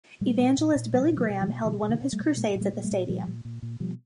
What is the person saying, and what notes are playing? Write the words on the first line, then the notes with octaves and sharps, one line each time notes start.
Evangelist Billy Graham held one of his crusades at the stadium.
A#2 G3 A3
A#2
A#2
A#2
B2 F#3 G#3
B2
F3 G3
B2
E3 F#3
B2
B2 D#3 F3
B2
D3 E3
B2
G3 A3
B2
A#2 G#3 A#3
A#2
G3 A3
A#2
G3 A3
A#2
A#2 F3 G3
A#2
A#2
A#2
B2 F3 G3